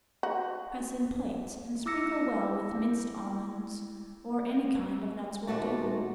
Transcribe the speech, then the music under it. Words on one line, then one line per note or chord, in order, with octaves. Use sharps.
Press in plates and sprinkle well with minced almonds, or any kind of nuts will do.
F#4
E4 D6 E6 A#6 C#7
D#2 A#2 A3 F#4 A5